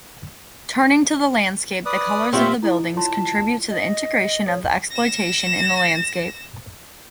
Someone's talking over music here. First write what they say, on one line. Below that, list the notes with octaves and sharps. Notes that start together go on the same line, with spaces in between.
Turning to the landscape, the colors of the buildings contribute to the integration of the exploitation in the landscape.
B4 D5 D#6
A#2 G3 C4 F4 C#5 E5 G5
E4 A4 D#5
F4 C#5 A5 C6
D#5
A4 C#5
A#6 E7